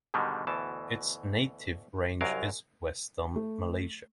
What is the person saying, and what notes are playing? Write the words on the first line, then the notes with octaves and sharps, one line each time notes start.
Its native range is Western Malesia.
G#2 B2 D3 D#3 G3 G#3
D2 B2 E3 A5
C2 F#2 F#3 A#4 F5
A3